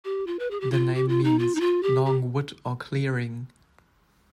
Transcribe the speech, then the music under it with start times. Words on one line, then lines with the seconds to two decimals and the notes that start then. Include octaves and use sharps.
The name means 'long wood or clearing'.
0.05 G4
0.27 F4
0.39 B4
0.51 G#4
0.60 G4
0.72 F4
0.95 G4
1.09 F4
1.24 D#4
1.39 F4
1.55 D#4
1.60 F4
1.83 G4
2.05 G4